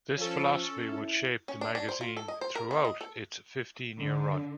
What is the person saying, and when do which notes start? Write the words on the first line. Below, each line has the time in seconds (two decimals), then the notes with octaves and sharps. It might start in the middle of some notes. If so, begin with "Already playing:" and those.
This philosophy would shape the magazine throughout its fifteen-year run.
0.17 F3 C#4 A4
0.87 E4
1.48 C#4
1.61 D4
1.75 D4
1.89 C5
2.01 F4
2.17 A4
2.28 D#5
2.41 C5
2.55 A#4
2.71 B3
2.85 D#5
3.01 A4
3.99 D3